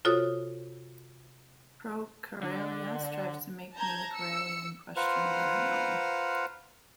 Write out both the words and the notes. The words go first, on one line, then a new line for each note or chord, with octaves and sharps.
ProKarelia strives to make the Karelian question better known.
C3 F4 F#4 A4 C#5 D#6
D3
A5 A#5 G6 G#6
E6 C#7
F4 B4 C5 F5 F#5 A#5